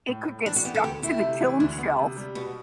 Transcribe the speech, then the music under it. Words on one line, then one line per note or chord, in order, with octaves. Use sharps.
it could get stuck to the kiln shelf.
A2
A2
E3 D4
F#4
B3 G4
A4
D2 G4
A3 E4
C3
E3
D2 D4
B3
C3
G3
B2 B3